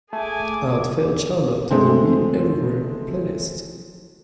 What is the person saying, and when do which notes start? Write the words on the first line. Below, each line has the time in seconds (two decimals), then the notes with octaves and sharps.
Add Fair Charlotte to the We Everywhere playlist.
0.13 A3 G#4 G#5 D6
1.71 G#3 A3 C4